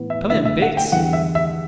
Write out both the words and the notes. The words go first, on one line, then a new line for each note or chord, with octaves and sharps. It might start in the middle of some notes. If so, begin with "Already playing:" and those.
Come in, Bates.
Already playing: A2 E3 B3
E5
D3 A3 E4 E5
E5
F#5
G5
E2 D3 G3 F#5
E5
E5